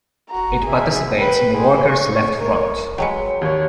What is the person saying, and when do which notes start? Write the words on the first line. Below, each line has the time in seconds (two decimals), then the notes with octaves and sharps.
It participates in the Workers' Left Front.
0.29 F#4 A#5
0.64 G#4 E5
1.17 B4 G5
1.57 G#4 C5
1.91 C#6
2.39 A#4 C#5
2.98 F#3 G#3 B4 G5 C#7
3.41 D#2 C#5